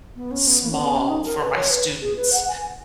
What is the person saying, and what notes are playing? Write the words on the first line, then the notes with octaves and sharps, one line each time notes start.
small for my students,
B3
C#4
B3
A#3
C#4
B3
C#4
D#4
A#4
B4
C#5
B4
G#4
B4
F#5
G#5